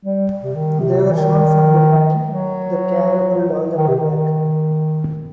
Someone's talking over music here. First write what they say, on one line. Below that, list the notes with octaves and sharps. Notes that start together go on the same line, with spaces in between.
They were shown from behind; the camera pulled all the way back.
G3
C3
D#3
C3
E3
D#3
F#3
D#3
C3
D#3